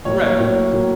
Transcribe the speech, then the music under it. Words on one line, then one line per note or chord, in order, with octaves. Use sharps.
Right, right, right.
A2 F#3 A#3 C#5
C#5
A2 F#3 A#3 C#5
A2 F#3 A#3